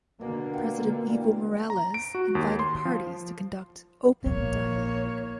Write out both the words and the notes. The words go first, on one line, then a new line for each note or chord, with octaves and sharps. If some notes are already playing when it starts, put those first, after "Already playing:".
President Evo Morales invited parties to conduct "open dialogue".
B2 D3 A#3
F4 F#5 G5
E3 G3 F4
A#5
D7
F#4
D#2
C6
F3
A#1 F3 A#3 C#5